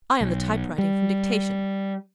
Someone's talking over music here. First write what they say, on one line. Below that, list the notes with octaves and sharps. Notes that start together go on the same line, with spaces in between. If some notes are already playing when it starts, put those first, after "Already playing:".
'I am the typewriting from dictation.
B1
G3